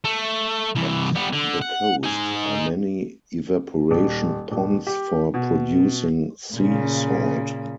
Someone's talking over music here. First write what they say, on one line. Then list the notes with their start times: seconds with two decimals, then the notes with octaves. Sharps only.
At the coast are many evaporation ponds for producing sea salt.
0.05 A3
0.75 C2 E3
1.15 G3 B3
1.33 D3
1.62 F#5
2.04 D#4 G#5
3.91 D#1
4.52 D#1
4.87 G4
5.34 B2
6.54 A#2 C#3